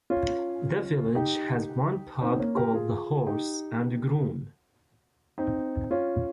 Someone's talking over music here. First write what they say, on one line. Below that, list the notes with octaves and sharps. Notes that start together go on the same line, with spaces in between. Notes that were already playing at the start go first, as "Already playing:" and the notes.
The village has one pub called The Horse and Groom.
C#4 F4
D#4 G4
C4 D#4
A#3 C#4
G4 A#4
F4 G#4
D#4 G4
C4 D#4
C#4 F4